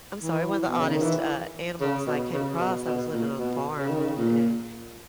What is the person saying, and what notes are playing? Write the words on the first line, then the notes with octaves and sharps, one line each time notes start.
I'm sorry, one of the oddest, uh, animals I came across. I was living on a farm, and
E3
B2
C#3
D#3
E3
C#3
B2
C#3
B2
B2
A#2
B2
C#3
D#3
C#3
A#2